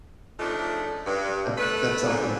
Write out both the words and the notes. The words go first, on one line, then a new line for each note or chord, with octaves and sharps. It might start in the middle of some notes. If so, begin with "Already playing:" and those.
That's that's something.
C#3 F3 A3 D4 D#4
G2
A3 B4
F2 G#2 D3